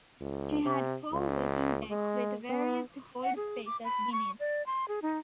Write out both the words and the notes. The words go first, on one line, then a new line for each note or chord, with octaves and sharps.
She had four working decks with various hold spaces beneath.
C#2
C3
C#2
G#3
B3
F#5
G#4
D6
B5
C#6
D5
C6
G#4
D#4